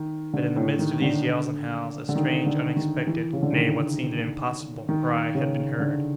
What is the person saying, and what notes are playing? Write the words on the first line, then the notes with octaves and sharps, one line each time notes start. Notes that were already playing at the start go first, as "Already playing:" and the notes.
But, in the midst of these yells and howls, a strange, unexpected--nay what seemed an impossible--cry had been heard!
Already playing: D#3
D3
A2
D#3
D3
D3
D#3
D3
D#3
E3
C#3
D3
D#3
D#3
C#3
D3